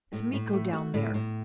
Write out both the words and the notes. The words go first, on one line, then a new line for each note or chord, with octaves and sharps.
It's Miko down there!
A2
A2
A3
F#4
A2
A2